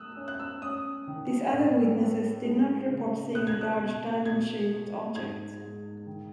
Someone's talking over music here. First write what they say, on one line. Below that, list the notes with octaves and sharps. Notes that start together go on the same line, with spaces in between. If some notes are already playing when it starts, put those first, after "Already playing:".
These other witnesses did not report seeing a large diamond-shaped object.
Already playing: A3 D#6 E6 F#6
C#4
F#6
E6
C#4 D#6
D#3
A2
B3
G#3
C#3
B2 F#6
G#6
F#6
B2
B2 G#6
G#3
G#2 G#6
G#2
D#3